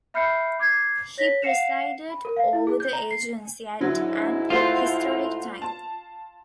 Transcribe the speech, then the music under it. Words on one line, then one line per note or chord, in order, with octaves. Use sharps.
He presided over the agency at an historic time.
E5 B5 F6 G6 C7 C#7
D6 G#6 C7
C#5 A#6 B6
F5 F#5 C7 C#7 E7 F7
B5
A#4
F5
E4
G#4
G6
A#5
C7
G#2 D3 F#3 E4
A3 F4 F#4 C5
A5